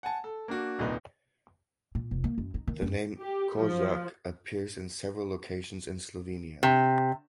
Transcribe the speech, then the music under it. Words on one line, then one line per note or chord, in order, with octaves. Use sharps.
The name "Kozjak" appears in several locations in Slovenia.
F#5 G#5 A5
A4
A#3 D4 F#4
D#1 C2 A#2 A#3 D#4 B4
A#2
F1
A#3
F#2
D#4
D#3
F#2
G4
F3
C3